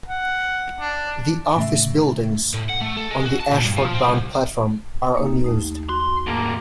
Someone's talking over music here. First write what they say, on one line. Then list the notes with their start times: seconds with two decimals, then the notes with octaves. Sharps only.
The office buildings on the Ashford-bound platform are unused.
0.08 F#5
0.80 D4
1.56 A2 C#3 A3 E5
2.54 A2
2.69 F#5
2.81 A3
2.97 A4
3.10 G#3
3.26 F#4
3.40 A5
3.52 A#2
3.64 G2
3.76 F3
3.94 C4
4.08 C2
5.17 A#3 D#4 G4
5.44 D#2 A3 D#4
5.89 F#4 C6
6.27 D2 G#2 A#3 A5